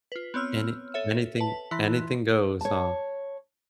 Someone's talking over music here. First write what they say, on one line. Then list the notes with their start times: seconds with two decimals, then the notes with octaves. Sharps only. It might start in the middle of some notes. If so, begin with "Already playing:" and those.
any anything anything goes, huh?
0.12 F4 B4
0.34 B3 C4 C#5 E6 F6
0.94 A4 C#5 E5
1.38 B4 A5
1.71 E3 E4 C6 F#6
2.61 C#5 A5